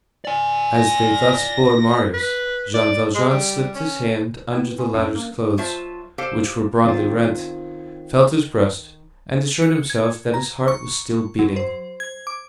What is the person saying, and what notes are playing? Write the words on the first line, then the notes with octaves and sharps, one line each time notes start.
As they thus bore Marius, Jean Valjean slipped his hand under the latter's clothes, which were broadly rent, felt his breast, and assured himself that his heart was still beating.
D5 G#5
A#6
B4
D5
G#3
G3
C#4
A#3 B3 E4
G#5 C6
F#2 F#3 C#4 D4
A#3
F#3 F4 C5 E5 A5
G4 A4 C5 F5
D#3 C4 F4
C#7
G#6
A#5
C#6
F#3
C5
G#6
D6